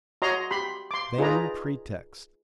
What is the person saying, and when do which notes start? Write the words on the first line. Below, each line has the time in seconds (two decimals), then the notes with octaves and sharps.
Vain pretext!
0.22 F#4 C#5 D#5 A#5 C6
0.51 G4 B5 C6
0.91 C6 D6
1.18 D#4 F4 G#4 B4 D5 A#5